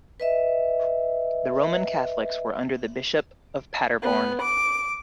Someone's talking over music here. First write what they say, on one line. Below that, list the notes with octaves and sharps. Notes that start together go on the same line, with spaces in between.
The Roman Catholics were under the bishop of Paderborn.
B4 D#5 E5
B3
D6